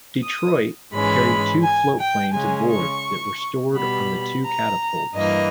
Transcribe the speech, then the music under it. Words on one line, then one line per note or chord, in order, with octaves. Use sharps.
"Detroit" carried two floatplanes aboard that were stored on the two catapults.
D#6
G#2 E3 G#3 C#4 B5
G#5
G5
C#3 G#3 C#4 G#5
C#6
B2 G3 B3 B5
A#5
G2 E3 A#3 D#5